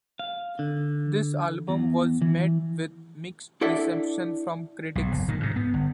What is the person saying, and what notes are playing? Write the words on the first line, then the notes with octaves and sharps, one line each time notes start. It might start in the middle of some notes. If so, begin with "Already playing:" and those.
This album was met with mixed reception from critics.
F5
D3
E2
E3
D4 E4 A4 D5 E5 F#5
B1 G#2
F#1
A#2 D#3
G#2 C3
B3
G1